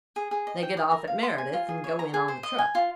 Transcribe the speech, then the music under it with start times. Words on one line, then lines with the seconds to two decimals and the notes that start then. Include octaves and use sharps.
They get off at Meredith and go in on the truck.
0.16 G#4
0.31 G#4
0.47 D#5
0.63 G5
0.77 D#6
0.92 A#4
1.08 F5
1.23 C6
1.38 G#5
1.53 F4
1.69 G#4
1.84 C#5
1.99 A#5
2.14 G#4
2.28 C5
2.43 D#5
2.58 G#5
2.75 F4